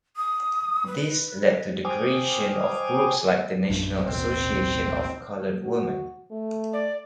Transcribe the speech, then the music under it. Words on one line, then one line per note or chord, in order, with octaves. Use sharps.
This led to the creation of groups like the National Association of Colored Women.
D#6
B4
C5 G5 G#5 D6 D#6 F6
A#1 F#2 D4
A1 D#2 B2 C4
F#4
A3
D5